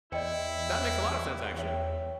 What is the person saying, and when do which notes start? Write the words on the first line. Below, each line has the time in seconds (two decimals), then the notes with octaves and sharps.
that makes a lot of sense, actually.
0.12 E2 E4 C5 D5 D#5 G5 C#7
1.57 C#5 E5 G5